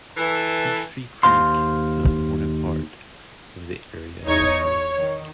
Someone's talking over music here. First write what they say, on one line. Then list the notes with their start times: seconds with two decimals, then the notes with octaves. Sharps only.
Peachtree Creek is an important part of the area history.
0.17 E3 A4
1.23 D#2 G#2 C5 F5 C6
4.26 E2 D#4 C#5 G#6 C#7
4.62 C#5
4.97 D#3